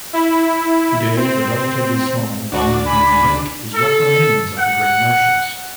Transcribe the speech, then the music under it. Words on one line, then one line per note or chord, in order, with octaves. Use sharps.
Today the relatively small Dongping Lake is what remains of the great marshes.
E4
C4
D2 D4 F#4
G#5 B5
A4
F#5